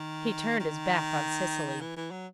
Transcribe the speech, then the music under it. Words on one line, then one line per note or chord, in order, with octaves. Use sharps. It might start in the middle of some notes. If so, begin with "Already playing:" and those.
He turned his back on Cecily.
Already playing: D#3
D#3
E3
E3
F#3